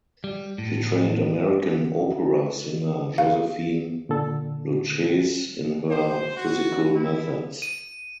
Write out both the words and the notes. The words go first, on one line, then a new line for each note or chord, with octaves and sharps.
She trained American opera singer Josephine Lucchese in her physical methods.
G3
A2
F5
A#2 D3 A4
C5
F#4
E4
D#7